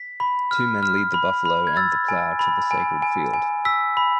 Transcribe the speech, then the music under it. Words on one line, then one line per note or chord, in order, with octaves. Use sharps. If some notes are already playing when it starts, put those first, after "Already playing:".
Two men lead the buffalo and the plough to the sacred field.
Already playing: B6
B5
F6
F6
B5
B5
G#6
E6 A6
G#5
B5
G#5
G#5
G#5
E6 B6
B5